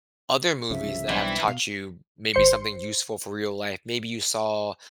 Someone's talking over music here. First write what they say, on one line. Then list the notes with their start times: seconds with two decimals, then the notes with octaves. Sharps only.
other movies that have taught you maybe something useful for real life? Maybe you saw,
0.70 C2 C#3 F3 E5
1.09 B1 D#3 E3 G3 C4 D4 E4
1.48 B2 F5
2.33 G#1 C5 C6 C#7